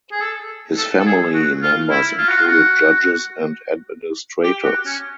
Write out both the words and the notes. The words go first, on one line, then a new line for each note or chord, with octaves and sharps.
His family members included judges and administrators.
G#4
A4
A4
A4
G#4
F#4
F4
E4
F4
F#4
F4
F#4
G4
F#4
C#4